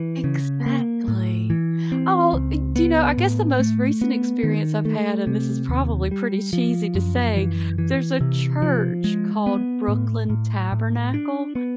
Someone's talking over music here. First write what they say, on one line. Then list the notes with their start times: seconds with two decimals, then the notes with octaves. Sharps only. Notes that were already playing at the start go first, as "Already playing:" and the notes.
Exactly. Oh, do you know, I guess the most recent experience I've had and this is probably pretty cheesy to say, there's a church called Brooklyn Tabernacle,
Already playing: E3
0.24 C#3
0.66 A#3
1.08 A2
1.50 E3
1.92 C4
2.33 C#2
2.76 B3
3.18 A2
3.60 A3
4.01 B3
4.43 D#3
4.85 A3
5.27 C3
5.69 D#2
6.11 G3
6.53 F3
6.95 F#2
7.36 E3
7.78 E3
8.21 C3
8.62 F3
9.04 G#3
9.46 B3
9.88 A2
10.30 A2
10.72 A2
11.14 D4
11.55 B3